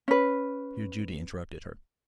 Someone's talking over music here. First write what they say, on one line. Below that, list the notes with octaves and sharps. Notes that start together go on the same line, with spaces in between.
Here Judy interrupted her.
C#4 B4